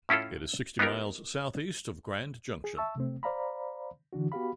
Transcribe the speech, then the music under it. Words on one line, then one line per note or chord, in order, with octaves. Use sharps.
It is sixty miles southeast of Grand Junction.
A2 C#4 E4 F4 A4
B3 D#4 F4 G4 A#4
G#4
E5 A5 C#6 E6
C3 A3 C4
C5 D5 F5 A#5 B5
D3 E3 D4 F#4
B3 F#4 G4 F5 B5